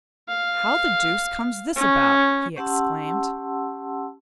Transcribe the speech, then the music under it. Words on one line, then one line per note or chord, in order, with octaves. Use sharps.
'How the deuce comes this about?' he exclaimed.
F5
C#4
C#4 G4 F#5 A5 C6 E6